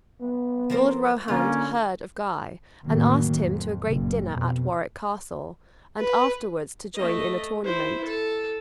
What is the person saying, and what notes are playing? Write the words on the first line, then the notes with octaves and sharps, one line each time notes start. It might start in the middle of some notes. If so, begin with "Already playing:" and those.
Lord Rohand heard of Guy and asked him to a great dinner at Warwick Castle and afterwards to join in a tournament.
B3
F3 A#4 C5
D3 A#3 C#4 F4
A1 F2 D#3 F#3 A#3
F2
F#1 A#2
F2 B2
B4
A3 D#5
E4 C5
A4